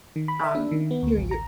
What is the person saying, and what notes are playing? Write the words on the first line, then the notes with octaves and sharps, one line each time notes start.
um, you you
D#3
B5
E5
D4
D#3
B3
D2
A1
A#5